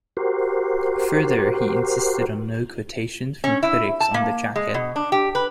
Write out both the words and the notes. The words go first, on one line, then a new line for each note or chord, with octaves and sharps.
Further, he insisted on no quotations from critics on the jacket.
F#4 G4 A#4 C5
C#4
E4
A5
A#3
G#3
B2
D4
G4
B4